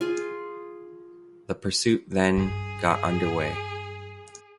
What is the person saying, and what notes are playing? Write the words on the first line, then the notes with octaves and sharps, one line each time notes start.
The pursuit then got under way.
F4 G#4
G2 G#4